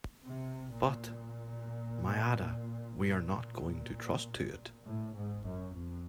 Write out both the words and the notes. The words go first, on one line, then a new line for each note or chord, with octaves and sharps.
But, my Ada, we are not going to trust to it!
C3
A#2
A#2
A2
G#2
F#2
F2